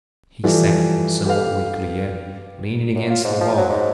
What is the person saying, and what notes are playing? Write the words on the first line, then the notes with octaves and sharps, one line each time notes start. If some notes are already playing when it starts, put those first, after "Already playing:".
He sat, somewhat weakly yet, leaning against the wall.
E3 F3 G3 A4
G4 A4 B4 F5
F#2
F4
G#2
F3
F#3
G#2